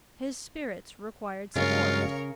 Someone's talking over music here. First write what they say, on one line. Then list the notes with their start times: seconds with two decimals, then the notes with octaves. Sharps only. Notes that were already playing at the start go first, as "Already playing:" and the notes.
His spirits required support.
1.55 G2 C#3 F#3 G#3 F4 A#4 C#5 F5